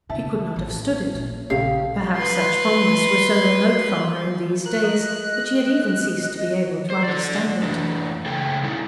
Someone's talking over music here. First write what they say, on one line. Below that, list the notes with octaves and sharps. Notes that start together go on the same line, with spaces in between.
She could not have stood it; perhaps such fondness was so remote from her in these days that she had even ceased to be able to understand it.
C#3 E5 A5
A1
A#2
A#1 C#3 A3 G4 F5
B4 C6
A#4 F#6
D#5
C5
A4 D5
E3 A3 D4
C#3 A3 G#4 A4 G5
G3 C#4 D#4 E4